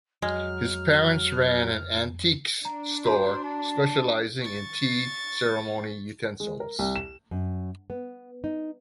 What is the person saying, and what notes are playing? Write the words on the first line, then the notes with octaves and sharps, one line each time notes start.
His parents ran an antiques store specializing in tea ceremony utensils.
F2 F#3 G#3 F6
D4 A#5
F#4 C5 A#5 C6
A5
C#6 A6
G#3
A#4
C2
E7
F#2
B3
D#4